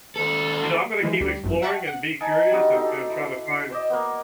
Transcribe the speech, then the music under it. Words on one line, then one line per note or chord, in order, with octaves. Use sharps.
you know, I'm gonna keep exploring and be curious and and try to find
D#2 A4
E3 F3 G#3 E4
D2 G3
G1 F#2
E5 F#5 G5 A5 C#6
F#5 F#6
D#4 G#5 A5
G3 D4 D#4 F#4
D#4 A4
E4
C5 D5 D#5
A#3 B3